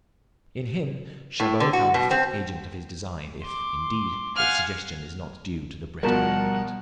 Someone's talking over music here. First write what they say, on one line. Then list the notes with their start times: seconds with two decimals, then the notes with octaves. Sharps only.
In him Chabot found a fit agent of his design, if, indeed, its suggestion is not due to the Breton navigator.
1.40 A2
1.60 D3
1.73 F#4
1.94 B2
2.11 C4
3.41 C6 D6
4.36 F5 F#5 G#5 F6
6.03 B2 F3 G3 F#4 A#4 F#5 A5